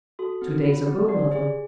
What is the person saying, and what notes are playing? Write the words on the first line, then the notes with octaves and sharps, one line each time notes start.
"Two days ago, mother."
F#4 A4
C4
F4
C4
G4 D5
G#4